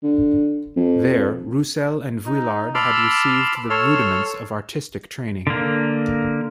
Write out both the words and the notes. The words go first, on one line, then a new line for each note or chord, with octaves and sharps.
There, Roussel and Vuillard received the rudiments of artistic training.
D3
F2
D#4
A5 B5 C6 D6 E6 F6
A4 C#5 C6 E6 F6
D3 A#3